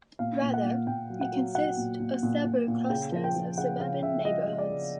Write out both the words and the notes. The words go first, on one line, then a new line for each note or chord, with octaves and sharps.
Rather, it consists of several clusters of suburban neighborhoods.
A#2 F5
A#2
F#5
A#2
A#2 G5
F#3
F#5
F#3
F#3 F#5
A#2
A#2
A#2
A#2
A#2
C#3 G5
F3
G5
F3
C#3 F#5
C#3 F5
C#3 E5
F3 D#5
C#3
D5
C#3